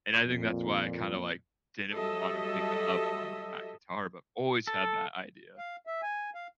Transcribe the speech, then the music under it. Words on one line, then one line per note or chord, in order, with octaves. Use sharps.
and I think that's why I kinda, like, didn't wanna pick up on that guitar, but always had that idea.
F2 A#2
F#3 G3 A4 D#5 E5
A4
F5
E5
G#5
F5